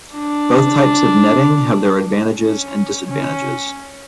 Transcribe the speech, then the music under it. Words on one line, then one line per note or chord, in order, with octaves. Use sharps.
Both types of netting have their advantages and disadvantages.
D4
C#4
C#4